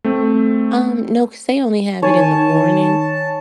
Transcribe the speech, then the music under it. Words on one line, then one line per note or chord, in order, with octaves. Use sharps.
Um, no, 'cause they only have it in the morning.
A3 C4
D#3 C#5 G#5 A5